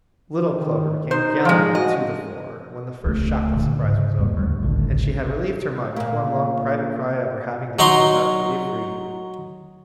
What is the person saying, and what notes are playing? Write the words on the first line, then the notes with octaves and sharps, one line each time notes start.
"Little Clover" came gallantly "to the fore" when the first shock of surprise was over, and she had relieved her mind with one long private cry over having to do without Katy for a year.
D#3
D#4 C5
F3 G#3
F#4 D#5
D1 C#2 D3 A3
A#2 D3
G#2 C#3
E2 G3 A#3
D2 G3
G#1 C#2 A2 D3
A#2 A#3
F#3 D#4 A#5 C6